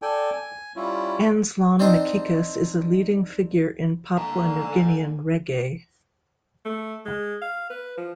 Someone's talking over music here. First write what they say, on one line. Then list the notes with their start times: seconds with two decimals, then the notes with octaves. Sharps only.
Anslom Nakikus is a leading figure in Papua New Guinean reggae.
0.02 A4 D5 G5 G#5
0.33 G#5
0.76 G3 C#4 E4 F4
1.79 C4 D4 D#4 C5
4.17 D3 A#3 G#5 A#5
6.65 A3
7.06 G#3
7.42 F5
7.70 B4
7.97 F3